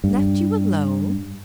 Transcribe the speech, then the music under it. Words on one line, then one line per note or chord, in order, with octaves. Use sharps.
Left you alone?'
G2